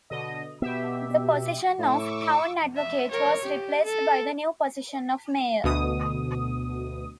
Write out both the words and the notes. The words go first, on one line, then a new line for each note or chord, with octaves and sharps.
The position of 'town advocate' was replaced by the new position of mayor.
B2 D3 D#5
B2 B3 G4 E5
A2 C#6 D6 E6
E5
A#4 C#5
G4
A4
D2 B2 D#6